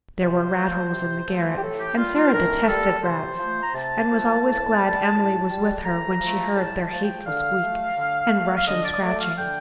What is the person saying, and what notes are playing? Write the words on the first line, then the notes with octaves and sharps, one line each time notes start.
There were rat-holes in the garret, and Sara detested rats, and was always glad Emily was with her when she heard their hateful squeak and rush and scratching.
C3 C5
F3 A3
C3
F3 A3
G4
A2 A4
G4
G3 F4
F4
C5
A2 A#4
G3 A4
C3 C5
F3 A3
A#5
C3 A5
F3 A3
A2
G3
A2
G3
A2 A#5
F3 A3
A2 A5
A5
F3 A3
G5
D3 F5
A3
D3
A3
F5
D3 D#5
D5
A3 D5
F5
D3 G5